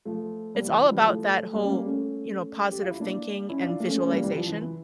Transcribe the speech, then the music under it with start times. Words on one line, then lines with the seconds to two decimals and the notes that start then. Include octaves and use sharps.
it's all about that whole, you know, positive thinking and visualization,
0.05 F3 A3
0.55 G3 A#3
0.67 E3
0.80 F3
0.91 E3 G3
1.04 F3 A3
1.53 G3 A#3
1.62 C#4
1.70 G3 A#3
1.86 A3 C#4
2.71 G4
2.81 F4
2.91 E4
3.00 A#3 D4
3.49 C#4 E4
3.62 D4 F4
3.80 A#3
3.86 A3 C#4
3.98 A3 C#4
4.11 G3 A#3
4.23 E3 G3
4.36 F3
4.48 E3
4.61 E3